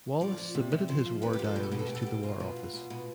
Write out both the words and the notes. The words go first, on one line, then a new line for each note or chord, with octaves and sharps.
Wallis submitted his war diaries to the War Office.
F3 D5
F3
C3
C3
F3 C5
F3
C3 B4
G4
F3
A4
B2 G4
A4
B2 G4
A4
B2 G4
A4
B2 G4
B2 F4
B2
B2
B2
B2